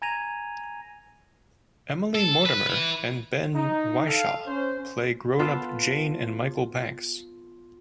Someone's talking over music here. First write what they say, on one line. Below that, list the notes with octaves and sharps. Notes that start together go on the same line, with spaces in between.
Emily Mortimer and Ben Whishaw play grown up Jane and Michael Banks.
G#5 A#5 G#6 A#6 D#7 F7
A4
B4
E4 B4
D#4
A4 F5
C#4 C5
B3 F4 A4